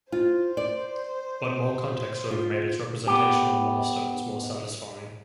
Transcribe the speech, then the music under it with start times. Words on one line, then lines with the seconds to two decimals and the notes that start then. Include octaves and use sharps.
But more context would have made its representational milestones more satisfying.
0.12 F4 C5
0.57 D5
2.31 F4
3.07 B3 G4